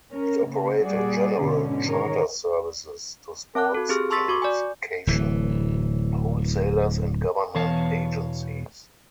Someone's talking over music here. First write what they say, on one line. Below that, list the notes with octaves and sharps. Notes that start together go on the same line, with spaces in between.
It operated general charter services to sports teams, vacation wholesalers and government agencies.
C#4 A#4
C#3 A#3
A#2 G3 F#4 G#4 D5
G#2 B2 D3 C#4
D#3 G#3 A#4 C#5
C4 A5 D6 F#6
F#4 A4
C4 G4 G#4 F6
A5 C6 C#6 E6 A6 B6
F#4 C#6 D6
D5 G#5
D1 E3
E2 B2 E3 C#5 F5 A5